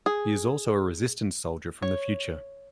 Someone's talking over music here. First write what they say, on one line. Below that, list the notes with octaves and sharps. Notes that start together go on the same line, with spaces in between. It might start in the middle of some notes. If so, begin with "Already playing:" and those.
He is also a Resistance soldier from the future.
G#4
C#5